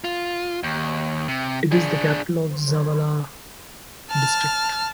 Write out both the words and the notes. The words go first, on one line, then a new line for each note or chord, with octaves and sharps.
It is the capital of the Zavala District.
F4
D#2
C3
D4 G#4
A5 F6